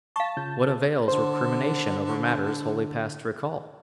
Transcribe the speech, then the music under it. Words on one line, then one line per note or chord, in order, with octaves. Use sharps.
What avails recrimination over matters wholly past recall?
F5 A5 C#6
C#3 F4 G6
D3 C5